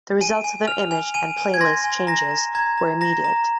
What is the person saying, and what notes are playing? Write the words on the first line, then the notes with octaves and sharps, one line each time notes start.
The results of the image and playlist changes were immediate.
G#5 D#7
G#5
F6 F7
G#5
G#5 D#7
G#5
G#6
C6 A#6
G#5
A#5 A#6
A#5
A#5 G#6
A#5
A#5 A#6
A#5